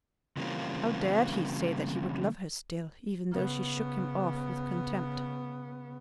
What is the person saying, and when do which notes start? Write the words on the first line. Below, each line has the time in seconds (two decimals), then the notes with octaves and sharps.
How dared he say that he would love her still, even though she shook him off with contempt?
0.37 C#3 E3 G3 A#3 C4 F4
3.32 C#3 B3